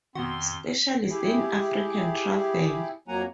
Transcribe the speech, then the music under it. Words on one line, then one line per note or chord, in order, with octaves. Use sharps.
Specialist in African Travel.
F2 B2 D#3 C4 F#4 C6
E4 G4 G#4
F2 F#3 A#3 F#5 G#5 A#5